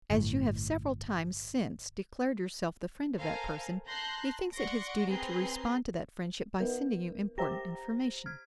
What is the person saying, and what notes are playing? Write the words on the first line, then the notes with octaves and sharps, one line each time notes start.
As you have several times since declared yourself the friend of that person, he thinks it his duty to respond to that friendship by sending you important information.
G1 A2
A4 A#4 C5 F5 G#5 A#5
A5 A#5 C6 F#6 G6 A#6
D5 F#5 C6 C#6 A#6 D7
C4 G#4 B4 A#5 C6
B3 D#4 A#4
G4 C5 E5 A#5 A#6
F6 G#6